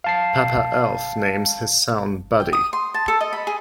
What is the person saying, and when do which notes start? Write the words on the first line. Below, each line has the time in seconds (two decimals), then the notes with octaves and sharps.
Papa Elf names his son Buddy.
0.04 F5 A5 C7
2.40 G5
2.53 D#6
2.73 C6
2.94 A5
3.08 A4
3.21 D#5
3.33 B5
3.47 G#4